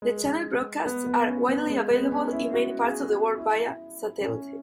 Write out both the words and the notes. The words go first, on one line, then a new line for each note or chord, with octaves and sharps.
The channel broadcasts are widely available in many parts of the world via satellite.
G#3
B3
B3
C#4
B3
G#3
B3
C#4
E4
F#4
G#4
F#4
E4
C#4